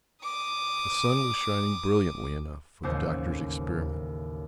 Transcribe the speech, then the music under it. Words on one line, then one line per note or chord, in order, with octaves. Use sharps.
The sun was shining brilliantly enough for the Doctor's experiment.
D6 D#6
A1 D#2 C#3 F#3 C5 D#5